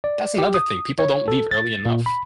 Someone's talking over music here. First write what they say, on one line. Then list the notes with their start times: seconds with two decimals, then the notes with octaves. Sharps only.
That's another thing, people don't leave early enough,
0.04 D5
0.38 G4
0.54 D#6
0.99 C#5
1.28 A4
1.51 A6
1.86 A#2
2.06 B5